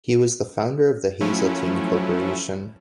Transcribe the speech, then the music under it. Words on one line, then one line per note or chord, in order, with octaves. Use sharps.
He was the founder of the Hazeltine Corporation.
F3 F#3 A3 C#4 E4